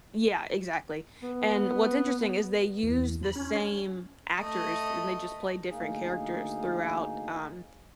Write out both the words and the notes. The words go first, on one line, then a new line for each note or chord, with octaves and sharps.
Yeah, exactly, and what's interesting is they use the same actors and they just play different characters throughout, um,
B3
E2
B5
C#4
A3 D#5
D2 A#3 D#4 G#4